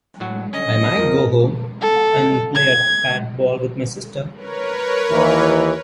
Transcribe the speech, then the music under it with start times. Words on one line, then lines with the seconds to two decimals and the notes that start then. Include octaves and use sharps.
I might go home, and play at patball with my sister.
0.20 A2 F#3 F#4
0.53 D3 C#4 D#5
0.96 F2 F3 A#4
1.82 A4
2.55 G#6
4.35 A#4 B4 C#5
5.11 D#2 E3